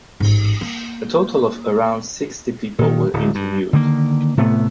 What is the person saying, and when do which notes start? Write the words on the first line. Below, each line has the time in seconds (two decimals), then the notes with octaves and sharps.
A total of around sixty people were interviewed.
0.20 A1 G#2
0.61 A#3
2.79 A#2 D#3
3.13 D1
3.35 G2
3.73 D3 D#3 G3 A#3
4.37 A2 C3 A3 B3